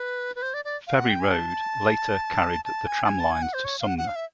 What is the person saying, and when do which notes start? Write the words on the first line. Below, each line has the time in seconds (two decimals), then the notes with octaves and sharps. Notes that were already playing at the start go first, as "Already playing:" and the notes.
Ferry Road later carried the tramlines to Sumner.
Already playing: B4
0.36 B4
0.42 C5
0.54 D5
0.65 D5
0.87 F5
0.98 F#5
1.10 G5
1.20 G#5
1.32 A5
2.65 A5
2.87 G#5
3.05 A5
3.08 G#5
3.20 A5
3.31 G#5
3.42 F#5
3.54 C5
3.65 C#5
3.80 F5
3.87 F#5
3.98 F#5
4.07 F5
4.16 E5